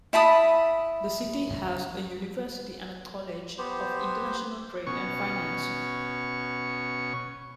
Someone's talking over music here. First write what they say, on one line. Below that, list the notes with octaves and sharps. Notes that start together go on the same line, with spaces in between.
The city has a university and a College of International Trade and Finance.
E4 A5 B5 D#6
B3 G4 C5
B2 C#4 C#6